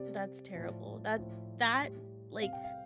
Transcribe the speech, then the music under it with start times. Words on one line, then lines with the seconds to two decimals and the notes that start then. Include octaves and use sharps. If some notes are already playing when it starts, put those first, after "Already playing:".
That's terrible. That that, like,
Already playing: C3 G3 D5
0.55 A2 F3
1.18 A2 F3
1.80 A2 G3
2.42 C3 G3 F5
2.53 G5
2.64 F5